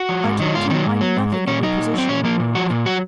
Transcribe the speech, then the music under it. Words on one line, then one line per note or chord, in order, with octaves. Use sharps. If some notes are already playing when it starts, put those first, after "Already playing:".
I told him I knew nothing of your position in the world.
Already playing: F#4
F3
G#2
D#3 F#3
G#2 F4
D#3 F#3 C#4
G#2
F#3
G#2
F#3
A#2 C#4
F#3 D#4
A#2
F#3 C4
A#2 C#4
F3 A#3
A#2
F3 F#4
A#2
F#3 F#4